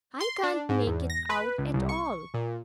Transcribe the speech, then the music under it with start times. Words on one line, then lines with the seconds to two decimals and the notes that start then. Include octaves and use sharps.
I can't make it out at all.
0.21 C6
0.43 D4
0.69 G#2
0.87 E2
1.10 A#6
1.30 B4
1.58 C#2
1.74 C2
1.89 C#6
2.34 A#2